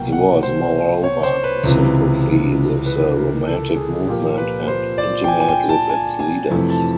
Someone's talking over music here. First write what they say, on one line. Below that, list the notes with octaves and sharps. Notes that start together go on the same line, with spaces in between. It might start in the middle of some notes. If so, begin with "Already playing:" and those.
He was, moreover, in sympathy with the Romantic movement, and intimate with its leaders.
Already playing: C2 B2 F#3 A#3 G5
F#5
C5
C#5
C5
B4
C#2 C3 E3
B4
A#4
A4
G#4
A#2 F3 A#3 G4
B4
C5
D5
G5
G#5
G#5
G5
A5
G#5
G#5
F2 C3 E3 A3
A5